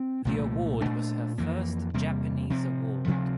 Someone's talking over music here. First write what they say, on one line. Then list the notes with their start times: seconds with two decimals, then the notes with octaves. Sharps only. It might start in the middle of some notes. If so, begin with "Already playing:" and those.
The award was her first Japanese award.
Already playing: C4
0.25 C2 A#2 F3 A3
0.81 A#2 A3 D4
1.38 F2 E3 A#3
1.94 E2 C3 G3 A#3
2.50 C3 F3 C4
3.07 D2 C3 F3 C4